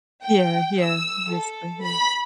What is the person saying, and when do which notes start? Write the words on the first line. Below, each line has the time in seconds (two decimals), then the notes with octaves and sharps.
Yeah, yeah, basically, yeah.
0.23 G5
0.81 E6
1.32 A4
1.83 B5